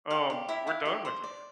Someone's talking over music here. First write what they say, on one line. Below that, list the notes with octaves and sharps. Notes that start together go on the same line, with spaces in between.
um, we're done with you.
G4 F5
G4
E4 E5
E4 F5
G4
C5
D5